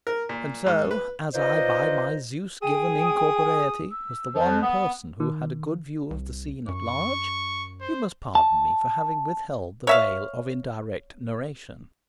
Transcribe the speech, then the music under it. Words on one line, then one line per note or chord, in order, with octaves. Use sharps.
And so, as I by my Zeus-given incorporeity was the one person who had a good view of the scene at large, you must pardon me for having withheld the veil of indirect narration.
A#4
A#2
G#2
B4
D#4 F4 B4 C5 D5 D#5
G#4 G5 D#6
E6
F2 F3
F#6
B3 D#6
D#3
C2
F#2 C#6
C5
A5
C#5 E5 F5